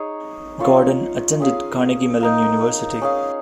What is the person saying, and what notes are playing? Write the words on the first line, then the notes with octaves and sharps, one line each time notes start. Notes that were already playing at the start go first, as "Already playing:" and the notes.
Gordon attended Carnegie Mellon University.
Already playing: D#4 G#4 C#5
C#4 F4 C#5 F5
C#4 G#4 F5
D#4 A#4 F5
C#4 G#4 F5